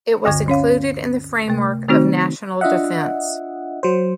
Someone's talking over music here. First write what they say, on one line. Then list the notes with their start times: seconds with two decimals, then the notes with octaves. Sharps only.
It was included in the framework of National Defense.
0.25 D2 G2 D3 C#6 G#6
0.48 C#4 C#5 F5
1.48 C3 A3
1.88 D#3 A3 C4 D#4 F#4 C5
2.61 D4 F4 D#5 E5 F#5
3.83 F#3 C5